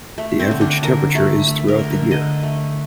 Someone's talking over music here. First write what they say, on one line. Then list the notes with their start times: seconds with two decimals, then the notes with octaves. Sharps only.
The average temperature is throughout the year.
0.18 A3
0.39 C4
0.51 D3
0.61 D4
0.83 D3 A#4
1.15 A3
1.47 A3
1.68 A#4
1.79 D3
1.91 A#4
2.11 D3 D#5
2.43 A3